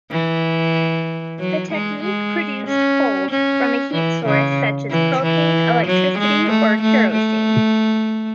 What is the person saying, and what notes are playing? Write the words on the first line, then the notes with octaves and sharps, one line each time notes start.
The technique produced "cold" from a heat source such as propane, electricity, or kerosene.
E3
F#3
G#3
G#3
C#4
C#4
E3
C#3
E3
E3
F#3
G#3
A3
A3
A3